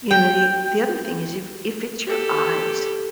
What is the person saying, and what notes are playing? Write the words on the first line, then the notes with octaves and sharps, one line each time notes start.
You know, the the other thing is if if it's your eyes
G5
G4 A4